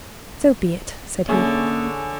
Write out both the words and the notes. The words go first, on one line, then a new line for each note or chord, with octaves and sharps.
"So be it," said he.
D3 A#3 C#4 G#4 C#5 E5